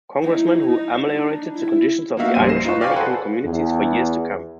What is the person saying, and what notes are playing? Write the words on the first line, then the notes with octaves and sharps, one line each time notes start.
Congressman who ameliorated the conditions of the Irish-American communities for years to come.
D#4 E4
D#4
D4 D#4
E4
A#3 B3 D#4 F#4 E5 F5
A#1 F#2 G3 C5 D#7
A#6 C7 E7
D#4 F4 B4 C#6
D5 F5 G5 G#5 B5 C#6
G#4 A4 B4 C5 F#5 G#5
E2